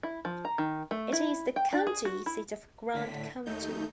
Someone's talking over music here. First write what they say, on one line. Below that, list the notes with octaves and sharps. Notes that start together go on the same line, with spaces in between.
It is the county seat of Grant County.
E4
F3
A#5
D#3
A3
E4
G5
D4
G#4
F#4
E4
A2 D3 B6
D#2 A3 D#4 G6